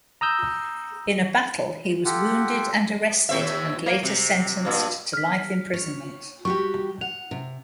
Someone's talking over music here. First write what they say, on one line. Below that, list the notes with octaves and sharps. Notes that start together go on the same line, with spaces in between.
In a battle he was wounded and arrested and later sentenced to life imprisonment.
A#5 D#6 E6 G6
F4 G4 A4 F#5
D#2 C4 E5
A#3
C3
G2 A#2
F6 B6
C#5
G3 F#4 G4 C#6
F#5 F7
C3